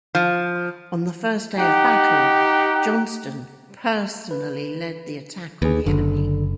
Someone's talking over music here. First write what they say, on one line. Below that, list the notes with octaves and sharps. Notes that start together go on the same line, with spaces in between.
On the first day of battle, Johnston personally led the attack on the enemy.
F3
D#4 G4 F#5 G5
B4
D#2 G#4 B4
F#1 D3